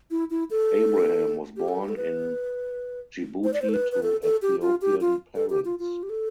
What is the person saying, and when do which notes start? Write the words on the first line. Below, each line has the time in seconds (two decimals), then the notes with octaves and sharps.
Abraham was born in Djibouti to Ethiopian parents.
0.11 E4
0.30 E4
0.51 A4
1.57 G4
1.68 A4
1.81 G4
1.89 A4
1.97 B4
3.44 C5
3.53 D5
3.62 C5
3.69 A4
3.74 B4
3.92 B4
4.03 A4
4.23 A4
4.42 G4
4.62 F4
4.82 G4
5.01 F4
5.36 A4
5.50 G4
5.65 F4
5.79 F4
6.03 G4
6.10 A4